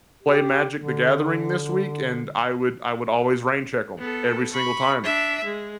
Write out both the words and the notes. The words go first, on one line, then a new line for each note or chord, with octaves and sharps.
play Magic The Gathering this week?" And I would I would always rain check 'em, every single time,
G4
D3
B3 A4
B5 C#6
D4 E5
G#3